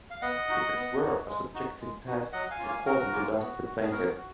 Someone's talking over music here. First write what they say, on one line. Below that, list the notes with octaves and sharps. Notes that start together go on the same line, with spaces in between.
If it were a subjective test, the Court would ask the plaintiff.
F5
B3 D#5 F#5
D#4 F#4
B3
D#4 F#4
G#3
D#4 F#4
G#3
D#4 F#4
F#3 D#5 F#5
F5 G#5
A#3 C#4 F4
F5 G#5
F#3 F#4 A#4
A#3 C#4 F4
B3 F#4
F#4
G#4
B3 F#4 A#4
F#4